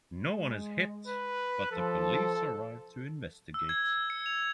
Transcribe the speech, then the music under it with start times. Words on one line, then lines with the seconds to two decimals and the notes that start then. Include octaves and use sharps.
No one is hit, but the police arrive to investigate.
0.20 G#3
1.08 B4
1.72 F3 A4
3.54 E6
3.69 G#6
4.10 C#7
4.26 F7